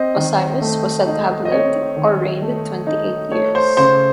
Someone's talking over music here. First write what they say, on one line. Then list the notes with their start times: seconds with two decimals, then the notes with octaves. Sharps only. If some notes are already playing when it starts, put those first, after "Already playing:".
Osiris was said to have lived or reigned twenty-eight years.
Already playing: C4 C5 D#5
0.16 D#3
0.62 A3
1.07 D#4
1.45 D#5
1.52 C4 C#5
1.97 D#3
2.42 A3
2.87 D#4
3.32 A3 C#5
3.55 C5
3.77 C#3 C5